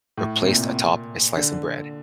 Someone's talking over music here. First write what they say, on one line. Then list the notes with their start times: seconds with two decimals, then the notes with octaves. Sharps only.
or placed atop a slice of bread."
0.17 A2
0.42 C3
0.48 A#2
1.37 D3